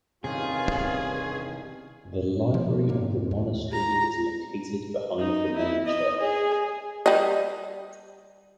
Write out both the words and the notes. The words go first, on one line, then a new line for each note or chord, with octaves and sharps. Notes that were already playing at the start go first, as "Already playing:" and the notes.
The library of the monastery is located behind the main church.
E2 G2 C3 D#3 C#4 F4 G#4
F3 A#3
G#2 D3 A#3
D#2
A#5
D#4
E4
D#5
G#4
G3 D#5